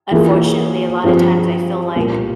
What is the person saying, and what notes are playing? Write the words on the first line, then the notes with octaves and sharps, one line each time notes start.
unfortunately, a lotta times, I feel like,
E3 A#3 F4 G#4
G2 F3 C4 F4 G#4
C2 A#2 G3 A#3